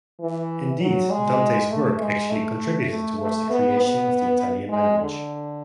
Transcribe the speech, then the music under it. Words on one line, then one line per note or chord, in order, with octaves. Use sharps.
Indeed, Dante's work actually contributed towards the creation of the Italian language.
E3
F#3
G#3
A3
G#3
A3
A3
A3
B3
B3
G#3
D3